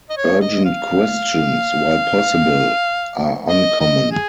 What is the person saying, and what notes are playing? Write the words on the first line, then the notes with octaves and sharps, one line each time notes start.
Urgent Questions, while possible, are uncommon.
D#5
C#5
D#5
F5
D#5
D#5
G#4